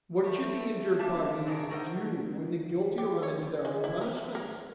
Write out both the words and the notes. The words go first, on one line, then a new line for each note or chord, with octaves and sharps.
What should the injured parties do when the guilty run into their own punishment?
A3 G4
A#3 D4 F4 E5 A5
G#2 C#3 G#3 D4 A#4
A3 D#4 A#4 C5 F#5
G4
C#5
G#3
E4
A#4
A3
A#4